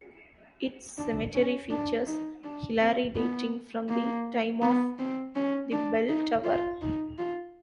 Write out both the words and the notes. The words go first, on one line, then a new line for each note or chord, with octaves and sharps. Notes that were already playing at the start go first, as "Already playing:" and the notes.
Its cemetery features Hilarri dating from the time of the bell tower.
D4
C#4
D4
D#4
D4
C4
B3
A#3
B3
C4
C#4
D4
D#4
F4
D#4
F4